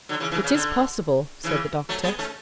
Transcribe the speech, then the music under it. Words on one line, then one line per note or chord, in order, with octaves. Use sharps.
"It is possible," said the doctor.
D3 F#3
C#3 E3
C#3 E3
C#3
D3
C#3 E3
F#3 A3
G#3 B3
A3 C#4